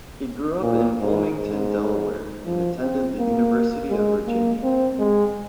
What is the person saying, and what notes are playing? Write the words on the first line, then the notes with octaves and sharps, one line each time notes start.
He grew up in Wilmington, Delaware and attended the University of Virginia.
A#2
G#2
G#2
F3
C4
A#3
G#3
A#3
C4
G#3